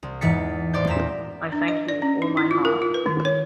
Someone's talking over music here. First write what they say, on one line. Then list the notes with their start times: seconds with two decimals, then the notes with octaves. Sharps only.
I thank you with all my heart.
0.03 C2
0.21 E2 G#2 E3 A6 B6 C#7
0.73 A1 A2 C5 D5 D6 G6
0.87 E2 A#2 A#5 B6 E7
1.52 D4
1.68 D#5
1.89 D5
2.02 C#4
2.22 D#4
2.37 E4
2.51 F4
2.65 A#4
2.82 F4
2.94 B4
3.06 D#3
3.25 C#5